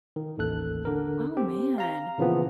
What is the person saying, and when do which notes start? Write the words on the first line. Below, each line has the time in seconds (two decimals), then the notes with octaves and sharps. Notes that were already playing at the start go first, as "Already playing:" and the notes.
Oh, man.
0.16 D#3
0.38 A1 D#2 A4 F#6
0.85 D3 A#4
1.37 C4 G4
1.78 F5 A#5
2.18 A#2 C#3 E3 F3 A#3 B3